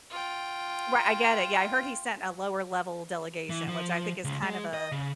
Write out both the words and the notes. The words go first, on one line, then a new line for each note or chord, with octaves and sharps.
Right. I get it. Yeah, I heard he sent a lower-level delegation, which I think is kind of a
F4 G5
E3
F3
C#2
G#3
D#5
C#3